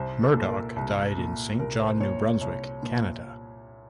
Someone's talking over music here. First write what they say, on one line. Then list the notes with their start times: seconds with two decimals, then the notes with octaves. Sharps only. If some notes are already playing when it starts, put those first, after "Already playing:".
Murdoch died in Saint John, New Brunswick, Canada.
Already playing: C2 C5
0.22 A4
0.35 A#2
0.49 A#4
0.76 C2
1.18 A#2
1.59 C2 A#4
1.79 C5
2.00 A#2 C#5
2.21 C#5
2.41 C2 C#5
2.83 A#2